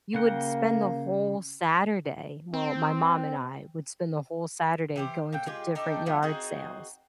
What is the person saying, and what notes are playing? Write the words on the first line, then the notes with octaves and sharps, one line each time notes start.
you would spend the whole Saturday, well, my mom and I would spend the whole Saturday going to different yard sales.
C#3 A#3 F#5 G5
C4
E3 G4 C5
A#2 G5
G#3 F4 G4
D4 D#4 G4 A4
F3 G3 A#3 B3
C4 D#4 F#4 G#4